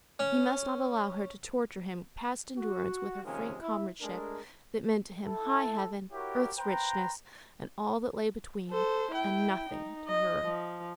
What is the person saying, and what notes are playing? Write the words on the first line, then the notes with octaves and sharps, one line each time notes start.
He must not allow her to torture him past endurance with her frank comradeship that meant to him high heaven, earth's richness, and all that lay between, and NOTHING to her.
C#4
F#4
C3 D#3 F3 G#3 A#3 C#4
E4
G#3 A3 D4 G#4 A#4
E4 A4
E4 F#4 G4 A#4 C#5
B4 C5 G5 A#5
A4 C5
E4 G5
D#4
D#5
F3